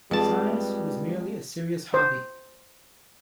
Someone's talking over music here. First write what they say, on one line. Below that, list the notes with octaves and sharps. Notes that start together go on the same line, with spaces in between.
Science was merely a serious hobby.
F2 G3 G#3 B4 A5
C5